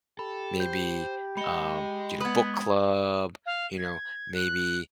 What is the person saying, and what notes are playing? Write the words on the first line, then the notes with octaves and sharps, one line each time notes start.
maybe, um, get a book club, you know, maybe,
G4 A4 B5
C5 G6
G#3 D#5 B5 C#7 G7
B3 B4 D#6 G#6
F5
G#6
F#6